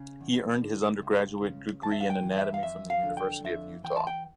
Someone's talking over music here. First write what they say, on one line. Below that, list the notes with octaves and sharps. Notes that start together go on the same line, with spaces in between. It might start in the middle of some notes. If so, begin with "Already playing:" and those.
He earned his undergraduate degree in anatomy from the University of Utah.
Already playing: C#3
E2
D3
C#2
C#3
E2 A5
E5
F5
G5
E3
E5
F5
F2 E5
F5
D3
G5
F2 E5
E3 G5
A5
G5